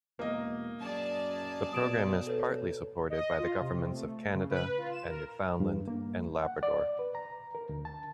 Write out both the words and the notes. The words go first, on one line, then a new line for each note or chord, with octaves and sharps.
The program is partly supported by the governments of Canada and Newfoundland and Labrador.
E1 A#3 D#5
F#2 G#4 D5 A5
B2 D#6 D7 E7
A4 B4 C#5
D#5
F4
C3
A3
C#3
B4
F4
E7
A#4
G2
A#3
F#5
D5
B4
A#5
A#4
D2
A5